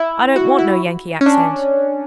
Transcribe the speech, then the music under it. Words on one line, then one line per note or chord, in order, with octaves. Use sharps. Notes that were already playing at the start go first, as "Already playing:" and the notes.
I don't want no Yankee accent.
Already playing: E4
F#4
E4
C#4
D4